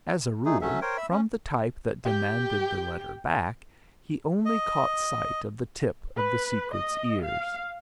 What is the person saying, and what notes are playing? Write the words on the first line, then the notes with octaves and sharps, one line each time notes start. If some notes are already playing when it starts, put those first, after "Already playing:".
As a rule, from the type that demanded the letter back, he only caught sight of the tip of the secret's ears.
A3 D#4 G#4
F#3 A3 C#4 E5
A#4 C5 C#5 G5
E5 B5 E6
C#4
G4 G5
D#5
B4
D#5
F5